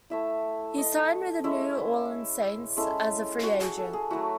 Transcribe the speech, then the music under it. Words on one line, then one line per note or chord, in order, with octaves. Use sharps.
He signed with the New Orleans Saints as a free agent.
A3 E4 E5
D#5
G#3 C#4 E4 E5
G#3 C#4 E4 A4
F#4
G#4
A4
G#4
F#3 A3 E4 F#4